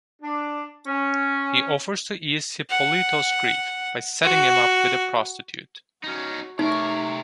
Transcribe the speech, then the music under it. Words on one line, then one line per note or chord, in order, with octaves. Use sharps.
He offers to ease Hippolito's grief by setting him up with a prostitute.
D4
C#4
F#5
F#4
C#4 D#4 F#4
C3 A3 D#4 A#4 C#5 E5 C#6 D7